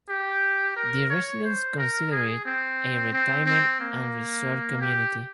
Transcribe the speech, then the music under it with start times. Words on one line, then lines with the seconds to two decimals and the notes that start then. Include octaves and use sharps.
The residents consider it a retirement and resort community.
0.09 G4
0.76 A#4
1.10 C#5
1.44 C5
1.78 A#4
2.12 G#4
2.45 C4
3.13 C4
3.46 C4
3.80 A#3
4.81 G4